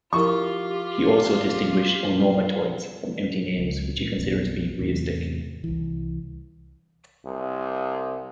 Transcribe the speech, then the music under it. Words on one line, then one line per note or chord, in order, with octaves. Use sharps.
He also distinguished onomatoids from empty names, which he considered to be reistic.
F3 E4 F4 G4 A#4 C#6
C#2
A#2
B1 F2 B2
E2 A2 C3
C2 E3
C2